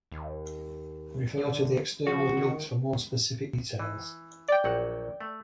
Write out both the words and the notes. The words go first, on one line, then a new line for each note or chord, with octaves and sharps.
Refer to the external links for more specific details.
D#2
D3
F3 F#4
D#3
E3
D5 G5
A#1 F#3 F#5
A3